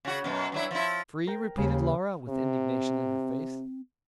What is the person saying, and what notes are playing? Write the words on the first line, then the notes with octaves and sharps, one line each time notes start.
"Free?" repeated Laura, with indignation in her face.
C#3 F#4
F#2 B2
G2 F#3 E4
F3 E4
A#4 G5
D#2 C#3
C3 C4